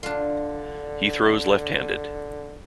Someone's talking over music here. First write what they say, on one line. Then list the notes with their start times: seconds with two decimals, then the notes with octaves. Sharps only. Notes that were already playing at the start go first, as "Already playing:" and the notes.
He throws left-handed.
0.03 D3 D4 F4